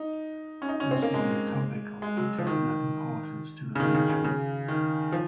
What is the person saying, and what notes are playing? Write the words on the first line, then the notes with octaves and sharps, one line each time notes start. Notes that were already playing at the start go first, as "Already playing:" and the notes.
This was a topic of particular importance to the military.
Already playing: D#4
C#4
D#4
C#4
C4
A#3
G#3
G#3
F#3
F3
D#3
C#3
D#3
C#3
C#3
C#3
D#3
F3